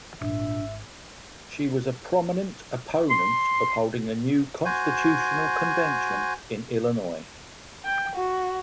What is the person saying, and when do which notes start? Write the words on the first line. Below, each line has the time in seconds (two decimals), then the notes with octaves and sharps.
She was a prominent opponent of holding a new constitutional convention in Illinois.
0.21 G#1 A#2 D4 E5
3.10 C6
4.65 F#4 C5 G#5
7.85 G5
8.16 F#4